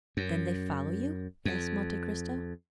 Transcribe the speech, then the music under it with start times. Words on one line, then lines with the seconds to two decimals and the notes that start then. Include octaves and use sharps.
"Then they follow you?" asked Monte Cristo.
0.17 F#2
1.45 F2